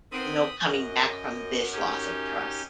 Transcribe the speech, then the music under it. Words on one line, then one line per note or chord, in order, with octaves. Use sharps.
no coming back from this loss of trust?"
D#3 B3 C4 B5 D#6
F#2 D#5
C#4 D#4 G4